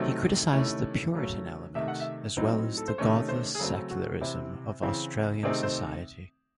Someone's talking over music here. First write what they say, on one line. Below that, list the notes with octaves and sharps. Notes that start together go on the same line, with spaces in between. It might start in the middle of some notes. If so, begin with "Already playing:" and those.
He criticised the "puritan element" as well as the "Godless secularism" of Australian society.
Already playing: C3 D#3 F#3 A3 C4
C3 D#3 A3 C#4 E4
C#3 F#3 A3 C#4
C3 D#3 A3 E5
F#5
E5
A2 F#3 C4 D#4
A4
C5
C3 D#3 A3 C#4 C#5
C5
G#4
C#3 F#3 A3 C4 A4
F#4
C3 E3 C4 E4
C#3 E3 C4
C3 D#3 A3 C4 D#4 G#4
C5